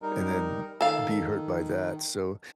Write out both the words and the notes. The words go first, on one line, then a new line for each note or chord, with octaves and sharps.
and then be hurt by that, so,
G3 D#4 A#4
D#3 A4 F5